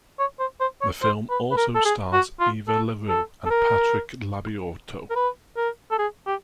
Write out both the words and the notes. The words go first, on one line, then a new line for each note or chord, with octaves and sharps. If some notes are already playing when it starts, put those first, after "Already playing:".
The film also stars Eva LaRue and Patrick Labyorteaux.
C#5
C5
C5
C#5
C5
B4
B4
A#4
A4
G#4
F#4
F4
A4
A4
A4
A#4
A#4
B4
A#4
A4
G#4
G4